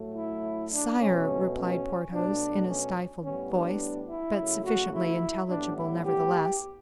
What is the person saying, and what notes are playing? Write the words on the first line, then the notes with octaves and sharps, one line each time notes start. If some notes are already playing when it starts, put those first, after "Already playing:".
"Sire," replied Porthos, in a stifled voice, but sufficiently intelligible, nevertheless.
Already playing: A2 F#3 A3
E4
D4
B2 A3 C#4
C#4
B2 F#3 A3 D4
C#4
A2 G3 B3 C#4
D4
E4
C#3 F#3 A3
F#4
E4
A2 G3 B3 D4
E4
G4